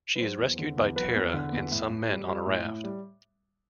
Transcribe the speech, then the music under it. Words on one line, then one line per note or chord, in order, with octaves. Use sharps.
She is rescued by Tara and some men on a raft.
B4
F#3 C5
E2
D3
E2
F#3 B4
E2
D3
E2
A2
A2
G3
G3
A2
A2
G3